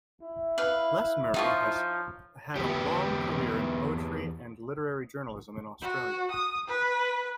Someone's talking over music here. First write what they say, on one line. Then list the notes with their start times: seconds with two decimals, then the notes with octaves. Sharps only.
Les Murray has had a long career in poetry and literary journalism in Australia.
0.22 E4
0.58 B4 F5
1.34 F3 D#4 F4 C#5
2.56 E2 B3 G4
5.82 F#4
6.31 D#6
6.67 B4